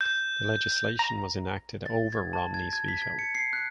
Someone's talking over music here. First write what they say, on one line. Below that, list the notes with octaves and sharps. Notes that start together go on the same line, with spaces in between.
The legislation was enacted over Romney's veto.
G6
A#5
A6
G#6
A5
G#6
G#6
B6
G#6
C#7
C7
F#6